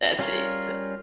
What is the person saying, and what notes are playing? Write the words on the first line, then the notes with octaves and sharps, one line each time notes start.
That's it, so
G3 C#4 F4 A#4 C#5